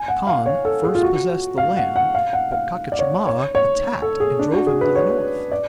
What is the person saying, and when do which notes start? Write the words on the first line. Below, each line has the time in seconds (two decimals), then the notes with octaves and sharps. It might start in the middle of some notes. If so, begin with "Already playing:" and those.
Con first possessed the land, but Pachacama attacked and drove him to the north.
Already playing: G#5
0.08 F#5
0.27 F5
0.46 C#5
0.65 A4
0.83 G#4
0.95 F4
1.02 F#4
1.58 F5
1.77 F#5
1.96 F#5
2.15 F5
2.33 F#5
2.52 F5
2.92 D5
2.99 C#5
3.27 C#5
3.55 C#5
4.02 A4
4.20 G#4
4.39 D4
4.53 F#4
4.67 G#4
4.81 B4
4.95 C#5
5.52 D5